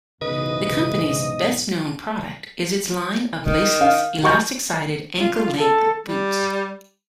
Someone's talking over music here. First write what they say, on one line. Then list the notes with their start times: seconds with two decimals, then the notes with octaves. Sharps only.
The company's best-known product is its line of laceless, elastic-sided, ankle-length boots.
0.21 B1 G#2 C#3 E3 B4 D#5
3.44 D#3
3.81 F5
4.23 D#3 F#3 C#6 G6
5.20 F4
5.58 A4
6.07 G3